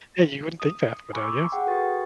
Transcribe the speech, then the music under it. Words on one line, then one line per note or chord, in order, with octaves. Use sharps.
Yeah, you wouldn't think that, but, uh, yeah.
D#6
G#5 B5 C#6 D6 E6
G#4 F#5 G5
F#4 A4 B4 G5 C#6 A6